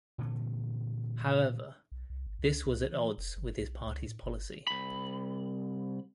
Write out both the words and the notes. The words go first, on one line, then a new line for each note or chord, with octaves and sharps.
However this was at odds with his party's policy.
A#2 D3 E3 A3
B1
C2
G#1
C#2
C2
E3
F1
G1
B1
C#2
A2
G1
C2 B5